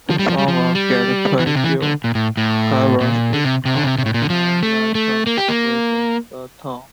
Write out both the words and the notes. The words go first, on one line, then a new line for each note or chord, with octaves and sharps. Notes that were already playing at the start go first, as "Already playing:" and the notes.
The former "Great Pityus" harbour is now a mere lake within the town.
F3
G3
F3
G3
F3
G3
E3
D3
C3
E3
D3
A#2
A2
A2
A#2
D3
C3
C3
D3
C3
C3
A2
A#2
D3
F3
A3
A3
A#3
G4
A#3